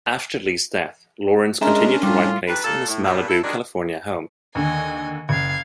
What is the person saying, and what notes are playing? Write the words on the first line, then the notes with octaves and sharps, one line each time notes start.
After Lee's death, Lawrence continued to write plays in his Malibu, California home.
G#3 C#4 D4 A#4 E5 A#5 C6
A2 G3 F4
D#3 G3 D4 B4
A#2 A4
A2
G2 A#2
E4 A4
B2 D3 D#3 G3 G#3 D4
D#2 D3 D#5 G#5
F#1 F5 G#6